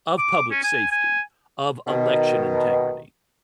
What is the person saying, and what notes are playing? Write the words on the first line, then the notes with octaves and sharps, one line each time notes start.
of public safety, of election integrity,
D6
C#4
G#5
G#5
B2 D#3